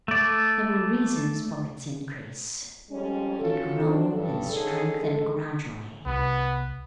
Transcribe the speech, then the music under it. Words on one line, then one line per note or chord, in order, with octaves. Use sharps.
There were reasons for its increase; it had grown and strengthened gradually.
A3 D5
F2 G3 G#3 C#4
C#4 F4 F#4 A4
E2 F#3 C4 D4
G2 C#4 A4
D3 D#3 C#4 D#4 G#4 A4
G#3 A4
C2 B3